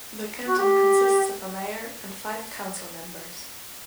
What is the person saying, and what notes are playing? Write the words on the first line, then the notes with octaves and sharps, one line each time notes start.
The Canton consists of a mayor and five council members.
F#4
G4